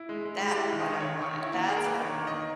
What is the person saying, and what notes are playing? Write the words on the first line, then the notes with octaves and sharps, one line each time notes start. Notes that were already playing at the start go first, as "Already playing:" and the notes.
That's what I want, that's what I want,
Already playing: E4
G#3
G#3
G#3
G4
G#3 E4
D#3
D#4
D#3
C#5
D#3
D#3 C#5
D#3
E4
A#3
A#3 G#4
A#4
A#3 B4
D#3
C#5
D#3
D#5
A#3